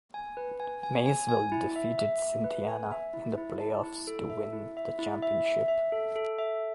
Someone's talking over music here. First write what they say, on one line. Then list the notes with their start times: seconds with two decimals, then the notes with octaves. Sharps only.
Maysville defeated Cynthiana in the playoffs to win the championship.
0.14 G#5
0.37 B4
0.60 G#5
0.83 G#5
1.06 G#5
1.29 G#5
1.52 E4
1.76 E5
1.98 E5
2.22 E5
2.44 B4
2.68 G#5
2.92 E5
3.14 E4
3.37 E4
3.60 A5
3.83 E4
4.07 A4
4.30 E5
4.53 E4
4.77 E5
4.99 E4
5.22 E5
5.46 E5
5.68 E5
5.92 A4
6.16 A4
6.38 E5